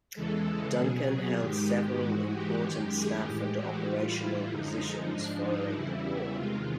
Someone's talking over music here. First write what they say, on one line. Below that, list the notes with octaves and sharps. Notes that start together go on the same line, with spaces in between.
Duncan held several important staff and operational positions following the war.
E2 C#3 E3 G#3 A4
A4
B2 F#3 G#4
G#2 D#3 G#3 G4
G#2 E3 G#3 F#4
G4
F#2 D#3 G#3 G4
G#4
A2 E3 G#3 G4
F#4
A2 E3 G3 F4
E4
F#2 D3 F3 G#3 D#4
G#2 F3 G#3 D4
D#4
E2 C#3 E3 G3 E4
E4
E2 C3 D#3 G#3 F4